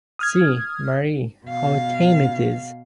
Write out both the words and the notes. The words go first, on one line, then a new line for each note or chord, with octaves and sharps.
See, Marie, how tame it is.
D#6 F6 G#6
B2 F5